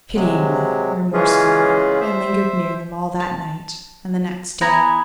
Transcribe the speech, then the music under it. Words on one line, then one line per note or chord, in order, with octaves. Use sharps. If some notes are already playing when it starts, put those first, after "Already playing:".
Pityingly, remorsefully, I lingered near them all that night and the next day.
C3 F#3 G#3
C#3 E3 G#3 C#4 F4 G#4
C5 E5
A5
B3 E4 G#5 A#5